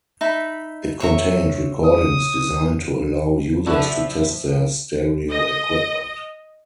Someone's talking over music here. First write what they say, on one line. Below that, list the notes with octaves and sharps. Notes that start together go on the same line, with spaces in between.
It contained recordings designed to allow users to test their stereo equipment.
D#4 E5 B5
C#5 E5 A#5
D#6
F3 D4 E4 F#4 E5 A5
D#5